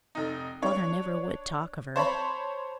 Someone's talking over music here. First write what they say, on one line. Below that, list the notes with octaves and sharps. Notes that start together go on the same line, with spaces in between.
Father never would talk of her.
F1 D#4
D4 C#5
C5 C#5 A5 B5